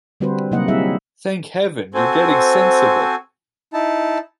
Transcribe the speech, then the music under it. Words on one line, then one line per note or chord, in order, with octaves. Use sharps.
Thank Heaven, you're getting sensible!
D3 G3 C4 F#4 B4 C5
C3 F#3 A#3 D#4 D#5 F#5
G3 C4 E4 G#4 E5
C4 F#4 A4 C5 G#5
D#4 E4 A5